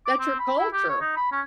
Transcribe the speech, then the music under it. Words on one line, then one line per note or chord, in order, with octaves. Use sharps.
that's your culture.
D6
C4
B5
E4
G4
C#5
D#4
B5
C#4